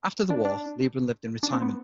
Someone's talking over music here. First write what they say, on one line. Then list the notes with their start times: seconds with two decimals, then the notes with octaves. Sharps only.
After the war, Lebrun lived in retirement.
0.30 D4
0.45 D4
1.43 D4
1.53 C4
1.62 B3